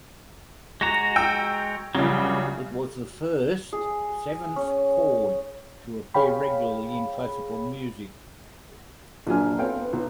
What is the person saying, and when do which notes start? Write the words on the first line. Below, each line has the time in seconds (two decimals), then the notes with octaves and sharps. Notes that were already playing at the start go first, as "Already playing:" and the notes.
It was the first seventh chord to appear regularly in classical music.
0.81 G#3 F#4 A#5 A#6
1.16 G5 E6
1.95 A#1 C#3 F#3 G3
3.73 G#4
4.56 C#4
6.14 G#4 C#5 F5 G5 B5
9.27 A#1 A#2 F#3 D4 G#5 F6
9.58 B3 C4 A4 C#5 F5 G5
9.82 B3
9.93 B1